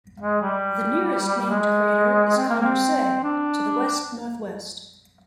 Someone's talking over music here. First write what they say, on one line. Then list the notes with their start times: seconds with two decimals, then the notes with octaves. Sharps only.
The nearest named crater is Condorcet to the west-northwest.
0.19 G#3
0.42 G3
1.50 G#3
2.37 C4
2.49 A#3
2.63 C4
3.23 D4